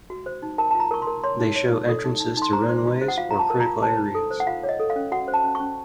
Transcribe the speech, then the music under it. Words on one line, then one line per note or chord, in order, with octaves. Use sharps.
They show entrances to runways or critical areas.
F#4
C5
D#4
A#4 A5
F4 A5
A#5
A#4 C#6
C6
A#4
C#5 C6
D#4
C#5
D#4
A4
D#4
D#4
D#4 C6
C5 A#5
C5
F#4
C5
F#5
F4 F5
F4 A#5
A5
A#4
A#5
F4
C5 A5
D#4
A4
C5
F#5
F4 F5
C#5
D#5
A4
F5
C#4
F#4 F#5
C5
A5
C#4
C#6
C#4